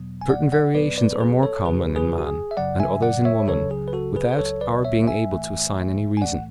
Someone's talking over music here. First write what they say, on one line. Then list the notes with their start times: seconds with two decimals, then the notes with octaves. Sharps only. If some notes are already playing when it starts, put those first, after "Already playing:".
Certain variations are more common in man, and others in woman, without our being able to assign any reason.
Already playing: E2 B2 F#3 B3
0.21 G#5
0.29 D5 F#5
0.52 D5 F#5
0.74 E2 B2 F#3 B3 B4 D5
0.98 B4 D5
1.12 A4
1.20 G#4 B4
1.43 A4 C#5
1.65 F#2 C#3 F#3 G#4 B4
1.96 G#4 B4
2.18 F#4
2.27 G#4
2.51 E5
2.57 F#2 C#3 F#3 D5 F#5
2.80 E5 G#5
3.02 D5 F#5
3.25 C#5 E5
3.48 C#2 C#3 F#3 A4 C#5
3.71 G#4
3.88 B4
3.93 F#4 A4
4.16 G#4 B4
4.31 B4
4.39 C#2 C#3 F#3 A4 C#5
4.61 B4 D5
4.85 C#5 E5
5.07 E5 G#5
5.30 B1 A2 E3 A3
6.17 G#5
6.21 B1 A2 E3 A3 D5 F#5